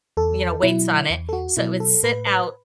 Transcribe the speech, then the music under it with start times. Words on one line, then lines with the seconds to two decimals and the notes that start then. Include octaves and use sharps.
you know, weights on it so it would sit out,
0.17 E2 A4
0.63 B2 F#3 E4
1.10 E2
1.29 A4
1.33 F#4
1.57 B2 F#3 E4
1.80 A4
2.03 A2 B4
2.27 B4